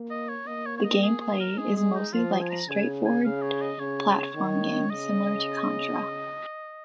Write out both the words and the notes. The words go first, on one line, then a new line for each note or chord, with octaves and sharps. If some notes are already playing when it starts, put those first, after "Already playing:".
The gameplay is mostly like a straightforward platform game, similar to "Contra".
Already playing: A#3
D#5
C#5
A#3 D#5
C#5
C#5
D#5
G#4
G#4
A#4
G#3 G#4
G#4
D#4
F3 F4
G#4
G#5
A#5
C#3 G#5
G#5
C#3 F5
C#5
D#5
C#3 C#5
D#3
C#3 D#5